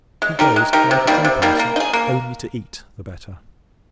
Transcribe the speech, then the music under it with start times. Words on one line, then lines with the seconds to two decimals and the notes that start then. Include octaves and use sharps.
He goes, like a true parson, only to eat the better.
0.22 G#3
0.39 D#4 G4 A#4
0.56 G#3
0.73 D#4 G4 A#4
0.91 C3
1.07 D#3 G3 A#3
1.25 C3
1.42 D#3 G3 A#3
1.59 A#3
1.76 D#4
1.80 G#4
1.93 A#3